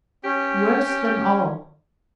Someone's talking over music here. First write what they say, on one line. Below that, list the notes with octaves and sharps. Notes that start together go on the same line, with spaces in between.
Worse than all!
C#4 G4